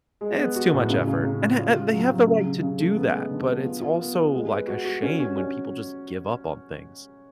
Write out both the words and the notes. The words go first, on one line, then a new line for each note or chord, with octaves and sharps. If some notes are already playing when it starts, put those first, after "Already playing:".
"it's too much effort," and a and they have the right to do that, but it's also, like, a shame when people just give up on things.
G#3
B3
F#4
A2
C#3
C#3
C#3
C#3
F4
F4
F#3
F#3
C#3
C#3
C#3
A3
B3
G#3
D3
B3
F4
F4
B3
F4
G#3
B4
F#4
F#4
C#4
C#4
C#4